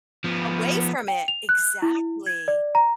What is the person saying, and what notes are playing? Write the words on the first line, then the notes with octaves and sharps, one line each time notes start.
away from it, exactly.
F3 B3
G5
F7
F#6
E4
G#6
D5
A#5